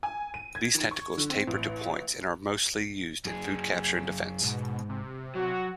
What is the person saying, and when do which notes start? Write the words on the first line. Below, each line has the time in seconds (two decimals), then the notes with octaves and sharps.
These tentacles taper to points and are mostly used in food capture and defence.
0.03 G#5
0.34 D#7
0.55 G#6
0.75 D#3
0.91 C#6
1.18 D3
1.30 C4
1.47 A1
3.25 F#2 G#4
4.43 G#2 B2
4.89 C3
5.35 F#3 F#4